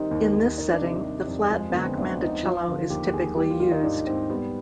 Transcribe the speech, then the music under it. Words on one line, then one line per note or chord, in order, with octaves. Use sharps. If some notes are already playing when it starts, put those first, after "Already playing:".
In this setting the flat-back mandocello is typically used.
Already playing: D#3 G3 C4 D#4
D#2
D#2
D#3 D#4
D4
C3
G3
F2
F3
G#3
D3 B3
C4
D2 D4
D2 D#4
F3 F4
D3
D#2 G4
D#2 G#4
G3 G4
F4
D#3 F4
D#4
G#2 D4
G#2 C4
G3 B3